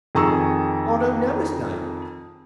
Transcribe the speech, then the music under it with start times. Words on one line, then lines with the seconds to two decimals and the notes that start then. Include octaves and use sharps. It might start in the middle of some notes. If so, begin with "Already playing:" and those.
"I don't know his name."
0.15 F2 D#3 G#4 A#5 C#6 E6